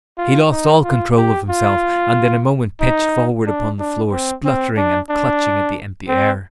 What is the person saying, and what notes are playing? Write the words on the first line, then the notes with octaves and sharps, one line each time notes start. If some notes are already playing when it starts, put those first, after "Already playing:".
He lost all control of himself and in a moment pitched forward upon the floor, sputtering and clutching at the empty air.
F4
D#4
F4
G4
F4
D#4
D4
D4
C4
C4
D4
D4
C4